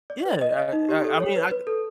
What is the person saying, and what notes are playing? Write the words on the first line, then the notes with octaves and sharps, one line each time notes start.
Yeah, I I I mean, I
D5
B4
D#5
D#5
D#4
G4
A4
C#5
B4
B4
A4